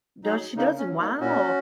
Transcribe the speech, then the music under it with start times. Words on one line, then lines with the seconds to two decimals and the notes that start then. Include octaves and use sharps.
Does she doesn't? Wow.
0.24 F#3 D#4 G#4
0.56 C#3 A#3 D#4
0.78 C#4
0.89 F#3
0.99 A#3 D#4
1.20 A#2 C#4 F#4